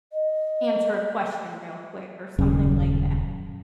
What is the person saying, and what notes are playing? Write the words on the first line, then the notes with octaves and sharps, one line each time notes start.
answer a question real quick or something like that.
D#5
D#1 F#2 C#3